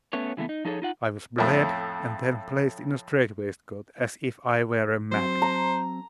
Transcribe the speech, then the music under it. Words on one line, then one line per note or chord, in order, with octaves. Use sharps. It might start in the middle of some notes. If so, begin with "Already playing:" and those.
I was bled; and then placed in a strait-waistcoat, as if I were a madman.
A3 B3 C#4 C#5
C#3 E3 F#3 A3 B3
D#4
F3 D#4 G#4 A4 C#5
D#4 F4 F#5
F2 A2
F#3 C4 C5
A#5